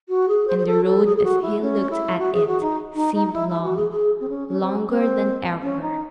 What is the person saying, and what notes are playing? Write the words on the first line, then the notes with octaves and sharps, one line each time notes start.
And the road, as he looked at it, seemed long--longer than ever.
F#4
G#4
C5
C5
A4
A4
G#4
G#4
F#4
E4
C#4
E4
F#4
G#4
F#4
D#4
D#4
D#4
E4
E4
F#4
G#4
G#4
C4
C#4
C#4
C4
C4
C#4
D#4